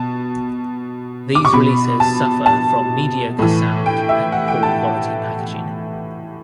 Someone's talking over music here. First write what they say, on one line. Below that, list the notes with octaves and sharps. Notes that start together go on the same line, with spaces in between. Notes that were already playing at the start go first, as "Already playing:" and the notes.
These releases suffer from mediocre sound and poor quality packaging.
Already playing: B2 A5
D6
C#6
B2 B5
A5
A5
A2 E3
G5
E5
F#5
G5
A5